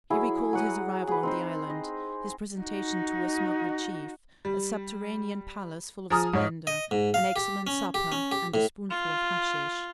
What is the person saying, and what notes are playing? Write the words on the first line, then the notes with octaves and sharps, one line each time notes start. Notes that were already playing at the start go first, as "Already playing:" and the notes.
He recalled his arrival on the island, his presentation to a smuggler chief, a subterranean palace full of splendor, an excellent supper, and a spoonful of hashish.
F#3 E4 G#4
F#3 F#5 D#6
G#4 B4
C4 D#4 C5
D#5
D#4 F#4
G3
F3 G#4 A#5 D#6 F6
G#2 C#5 D#5
D#5
G#2
F5
G4
C#4
G4
C#4
G4
A2
F4